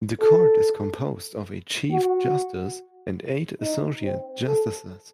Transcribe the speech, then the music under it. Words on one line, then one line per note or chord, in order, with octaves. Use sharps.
The Court is composed of a Chief Justice and eight Associate Justices.
A4
F#4
D#4
C4
A4